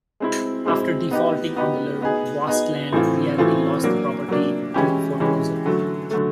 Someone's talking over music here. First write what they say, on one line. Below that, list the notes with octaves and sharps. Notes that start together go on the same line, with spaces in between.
After defaulting on the loan, Vastland Realty lost the property to foreclosure.
G#3 C4 E4
G#3 C4 E4
B3 D#4 G4
B3 D#4 G4
B3 D#4 G#4
B3 D#4 G#4
A2 E3 A3 C4 F4
A2 E3 A3 C4 F4
F#3 A#3 D4
F#3 A#3 D4
E3 G#3 C#4 E4 G4
E3 G#3 C#4 E4 G4
D3 F#3 A3
D3 F#3 A3